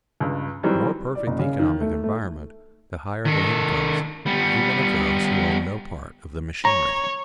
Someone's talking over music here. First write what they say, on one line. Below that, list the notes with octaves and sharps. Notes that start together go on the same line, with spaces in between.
The more perfect the economic environment, the higher the incomes even of those who own no part of the machinery.
C#2 G2
D#3 E3 F#3 G3 C4
D5
F#1
C#3
D#3
A3
A3
D#3 A4
G3 B3
C#5 A#5